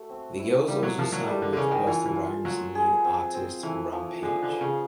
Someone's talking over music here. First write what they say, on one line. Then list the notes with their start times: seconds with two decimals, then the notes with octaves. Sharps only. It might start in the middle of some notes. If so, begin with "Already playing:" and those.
The girls also sang with Busta Rhymes' new artist Rampage.
Already playing: A3 F#4
0.10 C4
0.39 E4
0.68 G3 A#3
0.83 F#3
0.98 F3 A#3
1.12 F#3
1.28 G3 A3
1.42 D3
1.53 D3
1.57 C#3 C#4
1.71 D#3
1.87 E3 F4
2.06 E3
2.16 F4
2.45 F#3 F4
2.75 G#4
3.04 C4
3.34 C4
3.63 E3 A3
3.93 F3
4.23 D3 G#4
4.42 D3
4.52 B4
4.61 C#3